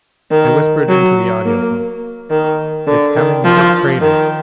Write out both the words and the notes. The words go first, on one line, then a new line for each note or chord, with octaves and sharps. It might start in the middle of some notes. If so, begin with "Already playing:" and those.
I whispered into the audiphone, "It's coming over the crater."
D#3
F#3
A#3
D#3
D3
D#3
F3
D#3